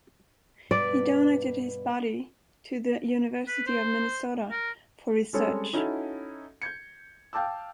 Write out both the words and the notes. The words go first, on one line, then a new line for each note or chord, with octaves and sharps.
He donated his body to the University of Minnesota for research.
G2 B2 B4 D5
B4
C5
A#4
G3 G#3 C4 C#4 A4 C#5
C#4 D#4 E4 F#4 A4
G6 G#6 C#7
F5 G5 A5 D6 E6